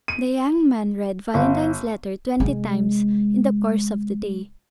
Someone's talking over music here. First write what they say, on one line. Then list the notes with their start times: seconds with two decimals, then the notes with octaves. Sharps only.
The young man read Valentine's letter twenty times in the course of the day.
0.08 D#7
1.34 G1
2.40 C3 G#3